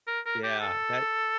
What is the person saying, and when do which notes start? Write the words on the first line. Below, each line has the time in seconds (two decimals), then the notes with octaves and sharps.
Yeah. That
0.08 A#4
0.26 A#4
0.43 G4
0.61 A4